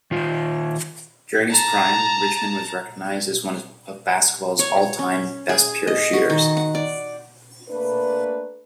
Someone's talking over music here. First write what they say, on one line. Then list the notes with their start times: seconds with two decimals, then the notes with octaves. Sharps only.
During his prime, Richmond was recognized as one of basketball's all-time best pure shooters.
0.11 D#3 F4
1.51 A5 A#5
4.59 C#5
4.99 C#4
5.49 G#4
5.87 D#5
6.13 F#4
6.30 D#3
6.57 F#5
6.75 D5
7.69 A3 A#3 D4 B4